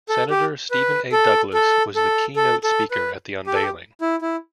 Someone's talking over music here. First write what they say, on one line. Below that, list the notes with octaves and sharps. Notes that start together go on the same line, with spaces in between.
Senator Stephen A. Douglas was the keynote speaker at the unveiling.
A4
G4
B4
A4
A4
A4
A4
A4
B4
G4
A4
G4
E4
E4